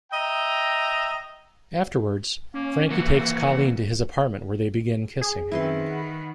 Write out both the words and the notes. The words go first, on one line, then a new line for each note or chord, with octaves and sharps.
Afterwards, Frankie takes Colleen to his apartment where they begin kissing.
D#5 E5 G5 A#5
A#3 C#4
E3 F3 A#3 F#4 F#5
G#4
F#2 D#3 C4 E4 B4 C6
F#5 B5